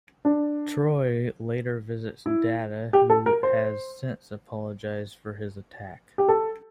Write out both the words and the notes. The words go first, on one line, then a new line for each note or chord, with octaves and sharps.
Troi later visits Data, who has since apologized for his attack.
D4
E4
G4
A4
A#4
C5
G4
A4